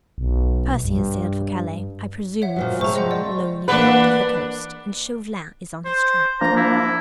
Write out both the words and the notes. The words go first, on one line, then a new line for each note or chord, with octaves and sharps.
Percy has sailed for Calais, I presume for some lonely part of the coast, and Chauvelin is on his track.
B1
G2
C#5 E5 F#5
A#2 F3 F#3
C3 G#3 A3 C5 A#5
C5 D#5 F#5
D5
E3 A#3 D4 B4 F#5
C5
F3 A#3 D4 A#5
E4